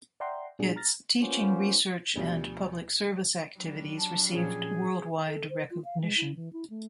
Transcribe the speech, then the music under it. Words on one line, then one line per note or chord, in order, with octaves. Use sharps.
Its teaching, research, and public service activities received worldwide recognition.
D5 E5 F#5 G5 A#5 C6
A#2 G3 B3 D4 F#4 G#4
A#5 F6 A6 A#6
A#3 B3 C#4 F4 G4 C5
D2 B2 F3 G3
F#3 G3 D4
A5
A#2 F3 C#4 G#4
A4
C5
F4
F5
G#3
E4
E3
E4
A3